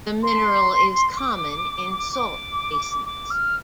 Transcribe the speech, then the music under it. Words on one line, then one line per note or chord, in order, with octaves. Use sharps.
The mineral is common in salt basins.
C6
D6
D6
D6
F6